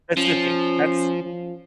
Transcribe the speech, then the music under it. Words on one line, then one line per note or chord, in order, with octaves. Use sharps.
That's the thing, that's
F3 C#4
F3